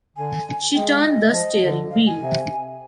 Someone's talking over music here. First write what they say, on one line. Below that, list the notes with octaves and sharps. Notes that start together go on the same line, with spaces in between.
She turned the steering wheel.
D3 G#5
G#3 G5
F5
D#5
F3
D3
F5
G#5
C3